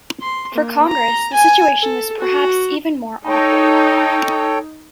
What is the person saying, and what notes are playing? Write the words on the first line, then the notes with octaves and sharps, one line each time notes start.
For Congress, the situation was perhaps even more awkward.
C6
A#3
A#5
G#5
A4
F#4
D#4 A4 C#5 G5